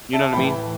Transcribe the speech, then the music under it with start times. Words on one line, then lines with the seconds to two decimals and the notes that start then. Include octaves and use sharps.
You know what I mean?
0.13 E5 A5
0.33 A2 E3 G5 B5